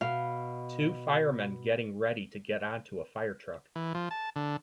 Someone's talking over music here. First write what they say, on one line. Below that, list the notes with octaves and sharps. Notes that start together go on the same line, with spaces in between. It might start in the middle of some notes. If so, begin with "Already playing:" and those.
Two firemen getting ready to get onto a firetruck.
B2 F5
E3
F3
A5
D3